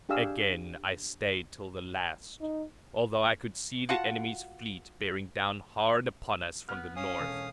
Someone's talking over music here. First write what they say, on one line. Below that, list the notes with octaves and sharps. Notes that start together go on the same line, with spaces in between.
Again I stayed till the last, although I could see the enemy's fleet bearing down hard upon us from the north.
D4 G4 G#4 F5 E6
D#4
F4 F#4 F#5 A5
B3 F6
C#4 F5 D#6
E1 A4